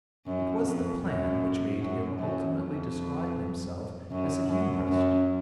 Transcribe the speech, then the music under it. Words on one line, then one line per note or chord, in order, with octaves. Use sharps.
It was the plan which made him ultimately describe himself as a humorist.
F#2
F2
F#2
F#2
F#2
F2
F#2
F#2
F#2